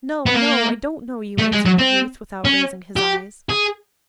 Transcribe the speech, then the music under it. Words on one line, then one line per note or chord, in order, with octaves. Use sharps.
'No, no; I don't know you,' answered the youth, without raising his eyes.
B3
A#3
A3
G#3
F#3
C4
C#4
G4
G#4